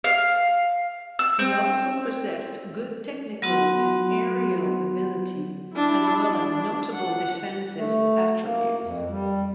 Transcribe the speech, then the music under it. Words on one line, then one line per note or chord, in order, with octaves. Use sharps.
He also possessed good technical and aerial ability, as well as notable defensive attributes.
F5
E6
C4
F#3 B3 F#4 F#5 C6
D4 E4
D4
F#5
A3
A#3
F2
G3